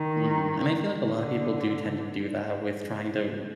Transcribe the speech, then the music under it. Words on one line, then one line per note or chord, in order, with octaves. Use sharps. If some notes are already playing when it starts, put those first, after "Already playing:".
Mhm, and I feel like a lot of people do tend to do that with trying to
Already playing: D#3
D3